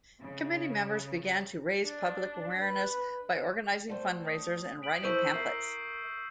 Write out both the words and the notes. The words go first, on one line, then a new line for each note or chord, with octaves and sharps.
Committee members began to raise public awareness by organizing fundraisers and writing pamphlets.
C#3
D4
B4
G3 A3 C5
D#6
B6 D7 F#7
E4 A4 C5 C#6 E6 G6
A#4 E5 E6 C7